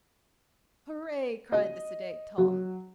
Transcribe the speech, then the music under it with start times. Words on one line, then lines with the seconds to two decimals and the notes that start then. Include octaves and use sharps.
"Hooray," cried the sedate Tom.
1.52 D#5
2.38 F#3